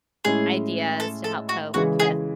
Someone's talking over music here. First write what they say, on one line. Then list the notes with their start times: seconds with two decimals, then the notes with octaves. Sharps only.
ideas to help cope with,
0.25 A2 G#3 C#4 E4 G#4
1.00 A4
1.24 A4
1.49 F#4
1.74 C#3 E3 G#3 F#4
2.00 G#4